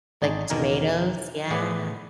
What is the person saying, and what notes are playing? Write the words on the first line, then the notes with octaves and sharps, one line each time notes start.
like the tomatoes. Yeah.
G#1 D#4 G#5 A5
E2 B2 D#3 A#3 A#4 G#5
A2 E3 B3 G#4 D5 F#5